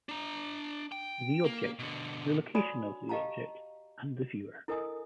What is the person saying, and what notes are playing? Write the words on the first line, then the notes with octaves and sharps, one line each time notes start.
The object, the location of the object, and the viewer.
D4 A#5
G5
A#3
B2 D3
F#4 C#5 D5 G#5 B5 D#6
G4 D#5 F5 A5 A#5
E4 A4 A#4 D#5 G#5 D#6